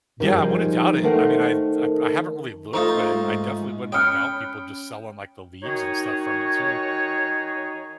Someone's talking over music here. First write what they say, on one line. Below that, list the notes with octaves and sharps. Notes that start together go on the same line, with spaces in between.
Yeah, I wouldn't doubt it. I mean, I've I've I haven't really looked, but I definitely would not doubt people just selling like the leaves and stuff from it too.
D#3 F3 G3 D#4 G#4
D#3 A3 A#4 C5 F#5
A3 D#4 F4 C5 A#5
G#2
C#4 G5 B5 D#6 F6 F#6 C#7
D#3 D#4 F#4 G#4 C#5